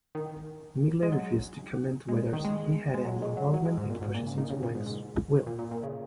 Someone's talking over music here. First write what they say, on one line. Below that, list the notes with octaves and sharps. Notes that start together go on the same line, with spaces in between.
Midgley refused to comment whether he had any involvement in processing Wang's will.
D#3
G#3
F#3
G#3
D#3
G#3
G#3
F#3
G#3
F#3
F#3
G#3
G#2
A#2
G#2
A#2
C#3
D#3
C#3
A#2
G#2
G#2
A#2
A#2
A#2
C#3